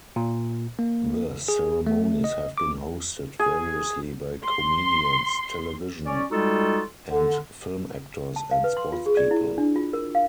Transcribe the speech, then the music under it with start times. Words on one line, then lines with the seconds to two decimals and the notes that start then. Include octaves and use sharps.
The ceremonies have been hosted variously by comedians, television and film actors, and sportspeople.
0.16 A#2
0.79 A#3
1.48 G#4
1.86 A3
2.24 D#5
2.58 D6
3.39 G#4
4.44 C6
6.06 C#4 D5
6.31 G3 G#3 D#4 F4 F#4 A4
7.09 D3
8.36 A5
8.51 F5
8.64 B4
8.77 C6
8.92 F4
9.06 G#4
9.17 D5
9.31 E4
9.58 D4
9.76 F4
9.93 A#4
10.15 F5